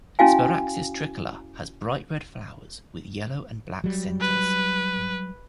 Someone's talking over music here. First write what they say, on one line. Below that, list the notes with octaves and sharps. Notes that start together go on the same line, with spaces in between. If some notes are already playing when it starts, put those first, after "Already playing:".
"Sparaxis tricolor" has bright red flowers with yellow and black centres.
C#4 E4 F#4 F5 G#5
F#3 G3
B4